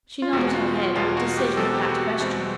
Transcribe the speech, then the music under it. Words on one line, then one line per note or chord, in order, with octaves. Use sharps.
She nodded her head with decision at that question.
F4
E2 B2 G#3 F#4
F4
F4
E2 B2 G#3 F4
F#4
G4
E2 B2 G#3 C4 A4
G4
F#4
E2 B2 G#3 C4